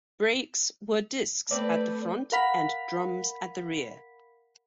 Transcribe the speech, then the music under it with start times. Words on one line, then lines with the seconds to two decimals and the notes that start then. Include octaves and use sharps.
Brakes were discs at the front and drums at the rear.
1.51 A3 C4 A4 B4 D5
2.32 A#4 F5 F#5 B5 B6